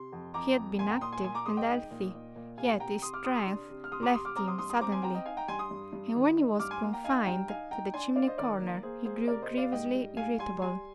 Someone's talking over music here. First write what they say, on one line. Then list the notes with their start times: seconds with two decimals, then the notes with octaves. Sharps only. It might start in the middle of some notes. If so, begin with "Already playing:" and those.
He had been active and healthy, yet his strength left him suddenly; and when he was confined to the chimney-corner he grew grievously irritable.
Already playing: C3 C6
0.12 F2
0.34 F2 A#5 D6
0.57 F2
0.79 A#2 G#5 C6
0.90 G5 A#5
1.01 A#2 C6 D#6
1.12 G#5 C6
1.23 A#2 G#5 C6
1.34 A#5 D6
1.46 G#3 C6 D#6
1.57 D#5 G5
1.68 D#4
1.91 A#2
2.13 A#2
2.36 A#2
2.57 C3 F5 G#5
2.80 C3 G5 A#5
3.02 C3 C6 D#6
3.13 D6 F6
3.24 C3 C6 D#6
3.35 C6 D#6
3.47 D4
3.70 C3
3.84 F6
3.92 C3 C6 D#6
4.03 A#5 D6
4.14 C3 C6 D#6
4.25 D6 F6
4.36 C4 A#5 D6
4.48 C6 D#6
4.58 G2 C6 D#6
4.70 C6 D#6
4.81 C4 A#5 D6
4.92 G#5 C6
5.03 C4 G5 A#5
5.14 D#5 G5
5.25 D#4 F5 G#5
5.37 G5 A#5
5.48 G2 G#5 C6
5.59 C6 D#6
5.71 G2
5.93 G2
6.15 D#3
6.37 D#4
6.59 G2 D6 F6
6.71 G#5 C6
6.82 A#3
6.93 G5 A#5
7.04 D#4 F5 G#5
7.26 G2 G5 A#5
7.48 D#4 F5 G#5
7.71 D#4 G5 A#5
7.94 D4 G#5 C6
8.16 D4 D5 F5
8.27 C5 D#5
8.38 D#3 A#4 D5
8.61 A#3
8.83 A#3 G#4 C5
9.05 A#3 G#4 C5
9.28 C3 A#4 D5
9.42 C5 D#5
9.50 C3
9.57 D5 F5
9.72 G#2 D#5 G5
9.95 G3
10.17 G#2 F5 G#5
10.39 G3 G#5 C6
10.62 G3 G#5 C6